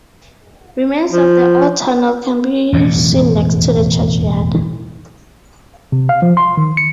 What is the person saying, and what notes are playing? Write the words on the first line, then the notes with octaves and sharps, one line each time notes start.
Remains of the old tunnel can be seen next to the churchyard.
F3
E1 A1 F2 A2
C3
F5
F3
C6
D#3
C#7